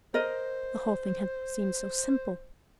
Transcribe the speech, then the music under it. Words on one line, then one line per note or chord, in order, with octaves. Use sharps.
The whole thing had seemed so simple.
A#4 C5 D#5